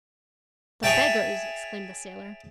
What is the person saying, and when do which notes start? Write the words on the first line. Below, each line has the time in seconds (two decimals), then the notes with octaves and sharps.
"The beggars," exclaimed the sailor.
0.83 G#4 C#5 E5 G5 A5